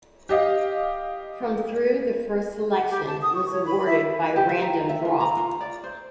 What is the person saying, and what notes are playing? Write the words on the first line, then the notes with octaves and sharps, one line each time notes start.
From through the first selection was awarded by a random draw.
G4 D#5 F5
F#5
G4
A5
D#6
C#6
C#5
B5
E5
G4
E5
A#5
E5
F4
A#5
F4
D5
C5